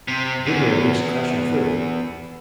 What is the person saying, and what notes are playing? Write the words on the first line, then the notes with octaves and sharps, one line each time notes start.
'I did hear a beast crashing through.
C3
E2